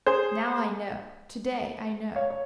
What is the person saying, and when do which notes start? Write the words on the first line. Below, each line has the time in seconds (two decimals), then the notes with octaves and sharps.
Now I know--to-day I know.
0.06 G#4 C5
2.16 C#5 F5
2.30 C#5